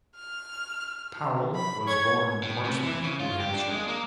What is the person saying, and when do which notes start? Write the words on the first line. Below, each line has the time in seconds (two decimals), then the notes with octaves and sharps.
Powell was born in Portsmouth, New Hampshire.
0.15 F6
1.55 B5
1.88 C#5 G#6
2.43 A2
2.64 C3
2.83 E3
3.04 C#3
3.20 F4
3.40 G4
3.54 D4
3.70 G#3
3.88 A#3